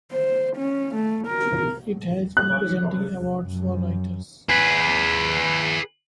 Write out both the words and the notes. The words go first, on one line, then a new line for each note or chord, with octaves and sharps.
It has been presenting awards for writers.
C5
C#4
A3
A#4
F#6
F#2
G#4 B4